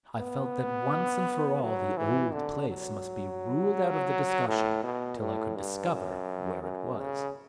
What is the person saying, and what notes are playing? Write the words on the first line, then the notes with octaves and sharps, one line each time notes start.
I felt that once and for all the "old place" must be ruled out of the discussion till I could discover where it was.
B3
F#3
E3
D3
F#3
A2
B2
A2
G2
F#2
F#2
C#3